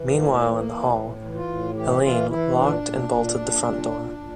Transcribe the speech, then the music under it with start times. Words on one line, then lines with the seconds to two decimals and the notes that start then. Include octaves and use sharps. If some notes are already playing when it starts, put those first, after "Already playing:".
Meanwhile, in the hall Helene locked and bolted the front door.
Already playing: E3
0.13 A2 A#3
0.40 E3
0.54 A#3
0.67 E3
0.93 A2
1.22 E3
1.34 F4
1.48 A2
1.75 E3 G4
2.02 E3 F4
2.29 E3 E4
2.55 A#2 D4
2.83 A#2
3.09 A#2
3.37 A#2
3.63 A#2
3.91 A#2
4.17 A#2